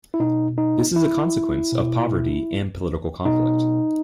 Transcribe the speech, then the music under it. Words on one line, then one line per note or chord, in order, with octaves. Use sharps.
This is a consequence of poverty and political conflict.
E4
B2 D#4
D#4
E4
B2
B2 D#4